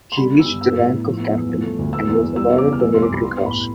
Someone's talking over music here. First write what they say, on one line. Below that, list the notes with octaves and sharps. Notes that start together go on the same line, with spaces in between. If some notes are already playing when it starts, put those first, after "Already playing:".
He reached the rank of Captain and was awarded the Military Cross.
C6
G3 B5
B3
E6
G2
B3 E6
A2
A2
F3
B3
E2
F3
A3
D2
B3 E6
E2
E2
G3 E6
B3
D6
E2
F6
F3 E6
C2 C6
D6
C2 B5
B3 C6
A2
B5
A2